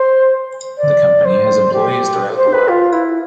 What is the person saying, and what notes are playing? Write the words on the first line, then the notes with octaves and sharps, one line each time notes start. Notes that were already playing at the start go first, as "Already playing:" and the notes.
The company has employees throughout the world.
Already playing: C5
D5
C5
G4
C5
B4
F4
E4